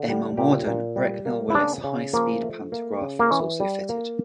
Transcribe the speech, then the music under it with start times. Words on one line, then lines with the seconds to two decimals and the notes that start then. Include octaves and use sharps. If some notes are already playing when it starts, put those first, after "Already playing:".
A more modern Brecknell Willis high speed pantograph was also fitted.
Already playing: D3
0.08 G3
0.37 A#2 G4
0.67 A#2
0.96 G3
1.26 A#3
1.50 E4
1.55 C#3 D4
1.84 C#3
2.13 F3 A#3
2.43 A3
2.72 A#3
3.01 C#3
3.19 A#3
3.31 E3 C#4
3.60 G3
3.89 A#3